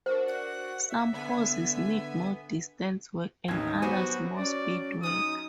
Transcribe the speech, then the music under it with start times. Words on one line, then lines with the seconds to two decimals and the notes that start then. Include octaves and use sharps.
Some horses need more distance work and others more speed work.
0.06 D4 F#4 A#4 C5
0.28 F#5
0.90 E5
1.13 D3 B3 G#5
3.48 A1 D#2 C4 C#4 D#4 G#6
3.82 F#3 B3 F#4 G4 C5 G#5
4.37 C#4 D5
5.03 F#2 C#4 D#4 D#6